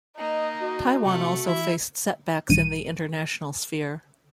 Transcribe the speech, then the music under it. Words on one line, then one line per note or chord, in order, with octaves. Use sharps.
Taiwan also faced setbacks in the international sphere.
A#3 D#4 D#5
F#4
C3 A3 F#5
E3 E4 E5
A#1 G2 D#3 D#7